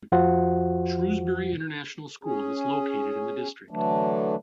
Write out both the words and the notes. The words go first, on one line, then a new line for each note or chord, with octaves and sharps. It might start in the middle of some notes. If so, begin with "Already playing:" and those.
Shrewsbury International School is located in the district.
F2 F3 F4 F#4 C5 F#5
C#4 G#4
D3 E3 F#3 A3 D4